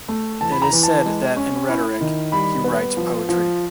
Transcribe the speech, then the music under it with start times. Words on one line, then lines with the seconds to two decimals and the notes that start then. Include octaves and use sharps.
It is said that in rhetoric, he writes poetry.
0.08 A3
0.41 E3 A5
0.52 B5
0.62 A#5
0.73 E3
0.83 A5
1.05 G#3
1.37 C#4
1.69 E4
2.01 D#3
2.32 G3 B5
2.64 B3
2.97 F3
3.29 F3